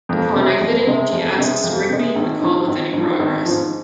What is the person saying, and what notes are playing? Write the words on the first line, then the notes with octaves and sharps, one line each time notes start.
Upon exiting, she asks Rigby to call with any progress.
F2
C3 G#3
F2
C3 G#3
F2
C3 G#3
F2
C3 G#3
G#1
G#2 F3
G#1
G#2 F3
G#1
G#2 F3